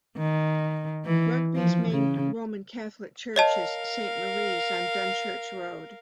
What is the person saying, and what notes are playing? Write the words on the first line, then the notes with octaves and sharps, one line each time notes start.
Rugby's main Roman Catholic church is Saint Maries on Dunchurch Road.
D#3
E3
F3
C#3
A#4 C#5 D#5 F5 A5